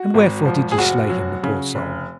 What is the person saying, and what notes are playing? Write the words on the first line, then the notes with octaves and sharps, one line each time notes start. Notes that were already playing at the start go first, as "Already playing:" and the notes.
And wherefore did ye slay him, the poor soul?
Already playing: F#4
G#1
F3
G#4
F1 F#4
F#3
C#3
F1